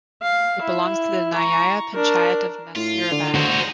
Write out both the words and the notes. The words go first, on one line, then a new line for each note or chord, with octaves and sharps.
It belongs to the nyaya panchayat of Nasirabad.
F5
E4
A#5 C#6
D4 A#4
A2 F4
D3
D#2 F#4 C5
G#3 D#4